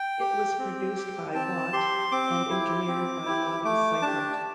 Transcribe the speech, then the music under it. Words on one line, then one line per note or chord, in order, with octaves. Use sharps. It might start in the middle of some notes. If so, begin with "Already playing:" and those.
It was produced by Watt and engineered by Bobby Seifert.
Already playing: G5
G4
C4
G4
C4 A5
G4 C6
C4 D6
E4 G4
C4
E4 G4
A3 D6
D4 G4 A5